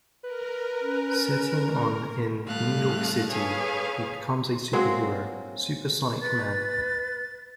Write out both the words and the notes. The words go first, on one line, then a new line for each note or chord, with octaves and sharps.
Setting on in New York City, he becomes a superhero, Supersonic Man.
A#4 B4
C#4
A2 D3 G3 A3 F5 F#6
G#4 A4 B4 C#5 F5 G#5
F#3 G#3 A#3 C4
B4 A6